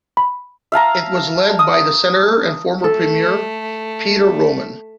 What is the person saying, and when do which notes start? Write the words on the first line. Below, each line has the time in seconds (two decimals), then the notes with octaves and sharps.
It was led by the Senator and former Premier Petre Roman.
0.17 B5
0.72 E5 F5 A5 A#5
1.59 D#6
2.84 A3 A4